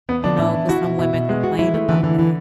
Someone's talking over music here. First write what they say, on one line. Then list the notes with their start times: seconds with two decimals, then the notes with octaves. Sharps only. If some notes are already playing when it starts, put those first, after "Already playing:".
You know, 'cause some women complain about that.
0.09 E2 B3
0.24 D3 D4
0.39 A2 E4
0.54 E3
0.69 E4 F#4
0.84 B2
0.99 B2 E4
1.14 B2
1.29 G#3 B3
1.44 F#4
1.59 E3 E4
1.74 A3
1.89 D3 E3
2.03 D3 E3
2.19 E3